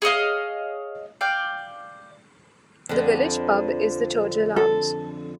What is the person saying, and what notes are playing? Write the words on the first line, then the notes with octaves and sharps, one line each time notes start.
The village pub is the Churchill Arms.
G#4 C#5 D#5 F5
D5 F5 G5
F2 D3
A4